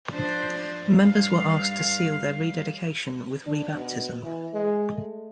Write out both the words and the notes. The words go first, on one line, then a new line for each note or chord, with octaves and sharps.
Members were asked to seal their rededication with rebaptism.
F3 D4 C5
G2 F5
D4
B2
E3
G#3
A3